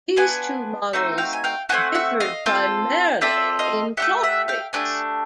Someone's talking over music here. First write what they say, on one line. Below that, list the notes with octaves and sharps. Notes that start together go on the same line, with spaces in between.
These two models differed primarily in clock rates.
B3 D4 F4 F#5 G#5
A3 C4 D#4 F#4
F5 G5
G#5
F5 G5
A3 C4 D#4 F#4 F#5 G#5
E5 F#5
D#5 F5
C4 F4 A4
C4 F4 A4 D5 E5
D#5 F5
A3 D4 G4 E5 F#5
E5 F#5
F5 G5
A3 D4 G4 F#5 G#5